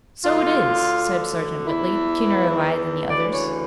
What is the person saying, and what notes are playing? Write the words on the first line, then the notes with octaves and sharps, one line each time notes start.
"So it is," said Sergeant Whitley, keener of eye than the others.
D2 D3 F4
E2 E3 E4
D2 C#3 E3 D5
C#5